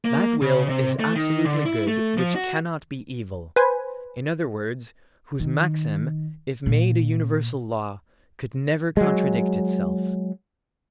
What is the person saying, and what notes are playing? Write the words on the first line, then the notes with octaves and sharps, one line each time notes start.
That will is absolutely good which cannot be evil- in other words, whose maxim, if made a universal law, could never contradict itself.
A#3
C#3
C3
A3
D#3
D3
E4
A3
F3
F#4
B4 C5 G#5
D#3
A#2
F#3 G#3